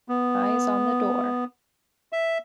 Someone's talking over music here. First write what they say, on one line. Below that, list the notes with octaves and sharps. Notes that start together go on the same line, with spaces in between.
Eyes on the door.
B3
E5